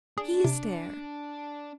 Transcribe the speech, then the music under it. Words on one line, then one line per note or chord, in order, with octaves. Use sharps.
"He's there!"
D4 G#4
C3